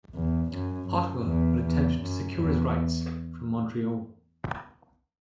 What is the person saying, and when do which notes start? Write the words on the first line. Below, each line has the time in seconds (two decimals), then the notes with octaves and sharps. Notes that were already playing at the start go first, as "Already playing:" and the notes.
Ottawa would attempt to secure his rights from Montreal.
0.15 E2
0.52 F#2
0.90 F#2
1.27 E2
1.64 E2
2.01 F#2
2.40 E2